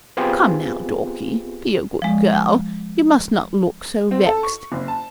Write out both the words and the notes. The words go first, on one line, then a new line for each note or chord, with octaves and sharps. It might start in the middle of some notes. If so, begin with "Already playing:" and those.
Come now, Dorkie, be a good girl--you must not look so vexed.'
B3 C4 F4 G4 G#4
F3 G#3
C4
A4
C#6
F#1
A5